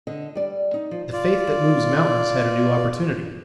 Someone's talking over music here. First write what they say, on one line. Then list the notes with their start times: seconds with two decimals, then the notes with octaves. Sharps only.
The faith that "moves mountains" had a new opportunity.
0.07 D3 D#5
0.35 G3 D5
0.74 D#4
0.91 F3
1.13 F4 D5